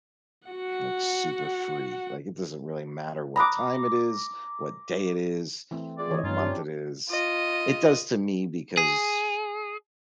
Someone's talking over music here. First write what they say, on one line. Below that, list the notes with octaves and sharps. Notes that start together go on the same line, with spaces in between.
like, super free. Like it doesn't really matter what time it is, what day it is, what month it is. It does to me because,
F#4 F#5
A#5 B5 D6 D#6 F#6
E3 A3 C4
F4 G#4 D5
E3 C#5 D#5
G2 C#4 D#4 F4
C4 D4 G4
F4 D#5
G#4